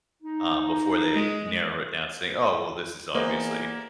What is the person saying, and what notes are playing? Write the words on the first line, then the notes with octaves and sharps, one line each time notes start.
uh, before they narrow it down, saying, "Oh well, this is obviously,
D#4
G#3
E2 A#3 B4 C5 D#5